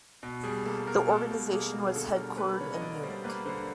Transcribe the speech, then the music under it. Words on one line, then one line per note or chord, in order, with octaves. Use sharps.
The organisation was headquartered in Munich.
B2
G3 G#4
A#3 A4
B2 A#4
B2 A4
G3
A#3 G#4
B2
G#4
D3 A4
G3 A#4
A#3 B4
D3 C#5
D#5
D3 D5
G3 C5
A#3 B4
D3 C5